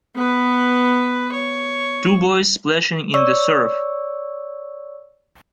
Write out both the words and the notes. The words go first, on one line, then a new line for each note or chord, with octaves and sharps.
Two boys splashing in the surf.
B3 B4
C#5
C#5 D5 C#6 E6